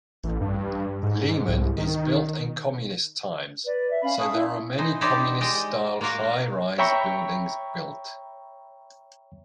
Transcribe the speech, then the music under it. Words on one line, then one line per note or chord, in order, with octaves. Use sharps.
Liman is built in communist times, so there are many communist-style high-rise buildings built.
A1
G2
G#2
C2
D#3
B4 D5
E5
C#4 F5 B5
F5 A5 C#6 D#6
E4
E3 D#4 C5
D#4 E4 G4 C5 D5
G#3 D5 D#5 G5
A#3 F4 F#4 A#4 F5
C#5 E5 G5 A#5 B5 C#6